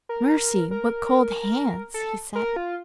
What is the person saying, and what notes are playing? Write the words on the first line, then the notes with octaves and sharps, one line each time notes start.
"Mercy! what cold hands!" he said.
A#4
A#4
A4
A#4
F4